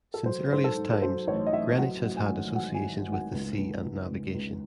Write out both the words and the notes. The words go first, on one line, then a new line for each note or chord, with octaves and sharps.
Since earliest times Greenwich has had associations with the sea and navigation.
A4
F#3 C5
G#2 C5
A4
G#2
A4
F#3 C5
A1 C#5
D#5
A1 E5
F#3 F#5
F#3
G#5
G#1
F#3 F#5
G#5
G#1
G#1
F#5
C#2
C#2
C#2
C#2
C#2